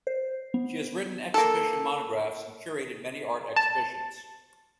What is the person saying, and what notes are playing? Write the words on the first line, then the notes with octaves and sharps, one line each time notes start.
She has written exhibition monographs and curated many art exhibitions.
C5
B3
A#3 A4
A5